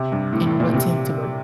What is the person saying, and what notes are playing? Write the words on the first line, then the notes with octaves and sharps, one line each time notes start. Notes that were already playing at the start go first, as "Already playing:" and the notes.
And what tend to work?
Already playing: C3
G2
A2
A2
A#2
C3